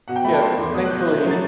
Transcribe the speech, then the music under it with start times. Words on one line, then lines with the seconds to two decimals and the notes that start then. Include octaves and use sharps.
Yeah, but, thankfully,
0.08 B2 F#5
0.16 G5
0.24 A3 B5
0.33 A5
0.41 A3 C6
0.58 E2
0.74 B2 D#6
0.85 F#6
0.90 B2 G6
0.99 F#6
1.08 A3 G6
1.24 F#3
1.31 A6